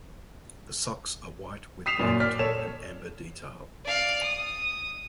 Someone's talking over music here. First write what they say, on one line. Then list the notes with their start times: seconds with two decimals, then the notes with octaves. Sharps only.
The socks are white with black top and amber detail.
1.86 D#6 B6 C7 E7 F7
1.99 F#2 A#2
2.20 D5 F6 B6
2.39 A4 C#5 E7
3.85 D5 F5
4.23 D#6